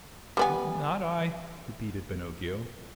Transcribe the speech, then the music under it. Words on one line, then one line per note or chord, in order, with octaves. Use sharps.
"Not I," repeated Pinocchio.
G3 B3 G#5